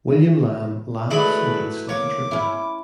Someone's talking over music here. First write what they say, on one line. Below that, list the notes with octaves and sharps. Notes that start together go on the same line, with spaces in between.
William Lamb laughs and eats like a trooper.
F#3 G#3 A3 D4 E4 B4 B5
A#3 C#5 D6
C#4 E4